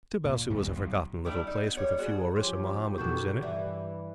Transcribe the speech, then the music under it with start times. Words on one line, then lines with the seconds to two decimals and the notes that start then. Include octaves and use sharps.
Tibasu was a forgotten little place with a few Orissa Mohamedans in it.
0.25 A#2
0.50 G2 B2 D#3 G3
0.62 F1 C#2 E3
0.75 B1
1.25 G3 A3 D4 E4
1.47 D#4
1.64 B3
1.77 G3 C#5
1.97 B3 F#4 G#4
2.36 F3 C#4 G4 C6
2.98 B2 D#3 F#4 A4 C#6 G6
3.42 G2 E3 D5 E5